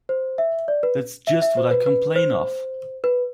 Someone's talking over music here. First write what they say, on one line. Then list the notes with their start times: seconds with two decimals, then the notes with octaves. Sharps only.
That’s just what I complain of!
0.09 C5
0.38 E5
0.68 D5
0.83 B4
1.27 E5
1.42 E5
1.57 C5
1.71 B4
1.86 B4
2.16 C5
3.04 B4